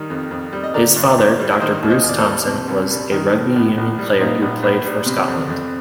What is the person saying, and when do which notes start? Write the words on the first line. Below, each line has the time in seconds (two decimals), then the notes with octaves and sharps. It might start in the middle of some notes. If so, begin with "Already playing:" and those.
His father, Doctor Bruce Thomson, was a rugby union player who played for Scotland.
Already playing: D#3 G3
0.10 F2
0.31 F2
0.53 G3
0.63 D#5
0.74 D3 A#4 D5
0.96 G2
1.18 G2
1.39 G3
1.61 D#3 C5 D#5
1.83 D#2
1.90 C5 D#5
2.04 D#2
2.09 D5
2.18 A4 C5
2.26 G3
2.47 C3
2.68 C2
2.90 G3
3.12 D#3
3.34 A2
3.56 A#1
3.77 A#1
3.99 G3
4.20 A#2 C4 D#4
4.42 A#1
4.63 A#1
4.84 G3
5.06 C3
5.28 F2
5.50 F2